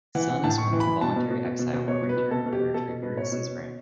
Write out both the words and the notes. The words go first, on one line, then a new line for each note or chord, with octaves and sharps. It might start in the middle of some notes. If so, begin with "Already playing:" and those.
Silanus went into voluntary exile, but returned under Tiberius' reign.
E3 F#5
E3 F#5
A2 A5
A2 C#6
E3
B5
E3
B2 A5
B2
B2
B2
B2
B2
B2 C#5
B2
B4
B2
B2 A4
B2
G4
B2
B2 A4
B2
B2 B4
B2 C#5
B2
B2
B2